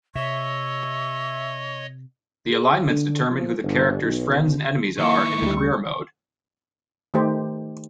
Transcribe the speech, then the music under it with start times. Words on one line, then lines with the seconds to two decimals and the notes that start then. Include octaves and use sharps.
The alignments determine who the character's friends and enemies are in the career mode.
0.15 C3 C#5 D#5 E5 C#6
2.50 G#4
2.87 D3
3.31 F3
3.63 G1
4.01 B1
4.98 D#3 A#3 E4 C#6
5.42 D2 G3
7.14 D#3 A3 D#4 G4 C5